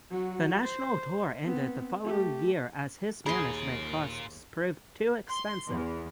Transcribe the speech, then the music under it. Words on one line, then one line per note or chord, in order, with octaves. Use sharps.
The national tour ended the following year as his management costs proved too expensive.
F#3 F#4
C5
B3 C4
A3 G4
D#2 F4 G#4 A#4 B5 C6
C6
E2